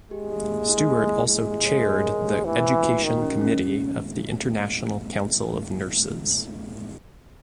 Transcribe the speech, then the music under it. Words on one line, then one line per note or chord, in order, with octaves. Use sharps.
Stewart also Chaired the Education Committee of the International Council of Nurses.
G#3 G4
G4
A#3
E4
A#3
E4
G#3 E4
G4
C#5
A#4
C#5
G4
E3 C5
C5
F#4
D#3 F#4
C#4
C#4